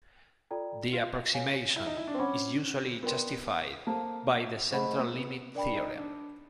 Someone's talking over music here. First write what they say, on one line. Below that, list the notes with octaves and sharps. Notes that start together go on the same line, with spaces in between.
The approximation is usually justified by the central limit theorem.
F4 A4 D5 G5 A#5
F4
A4 C#5 F5 G#5
E4
D#4
E4
D4
C4
C#4 C#5 F#5 B5 D6
B3 F4 A#4 D5 G5 C6
A#3 A4 C5 F5 A5
A3 G#4 C5 D#5 F#5 B5
A3
A#3
B3
D4 A#4 D5 G5 B5
D#4
D4